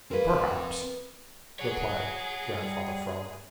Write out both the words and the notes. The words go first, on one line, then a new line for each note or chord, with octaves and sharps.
"Perhaps," replied Grandfather Frog.
C4 A#4 B4 F5
G#4 C#5 F#5
G3